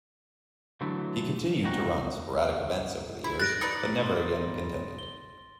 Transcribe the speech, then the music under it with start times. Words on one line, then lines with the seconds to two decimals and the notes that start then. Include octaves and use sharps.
He continued to run sporadic events over the years but never again contended.
0.81 D3 E3 F#3 A3
1.64 G#2 C3 D#4 F#4
3.24 E4
3.39 F#6 A6 A#6 D7
3.61 D#4 B4 D5
4.04 C6
4.99 G7